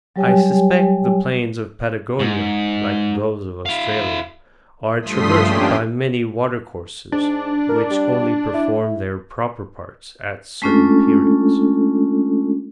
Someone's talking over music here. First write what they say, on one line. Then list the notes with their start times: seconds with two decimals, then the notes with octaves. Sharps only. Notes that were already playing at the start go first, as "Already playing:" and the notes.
I suspect the plains of Patagonia like those of Australia, are traversed by many water-courses which only perform their proper parts at certain periods.
0.16 F#3 G3 G4 C#5 G5 G#5
2.20 G#2
3.66 E4 F5
5.02 G2 F3 A3 C6 D#6 B6
5.42 A#3 C#4 D4 G4 G#4 G5
7.12 G#2 D4
7.69 A#4
7.91 G3
8.54 E4
10.62 G#3 A3 C#4 D4 F4 A4